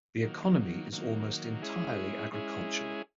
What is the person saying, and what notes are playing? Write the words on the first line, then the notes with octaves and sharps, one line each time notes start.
The economy is almost entirely agricultural.
D#3 F#3 A#3
D#3 F#3 A#3
G#3 C#4 E4 G#4
G#3 C#4 E4 G#4